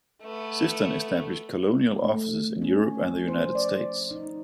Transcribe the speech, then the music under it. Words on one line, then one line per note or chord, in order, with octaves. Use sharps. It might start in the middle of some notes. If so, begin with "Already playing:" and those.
Sifton established colonial offices in Europe and the United States.
A3 B3
A3
C#4
F3
C5
D5
D#4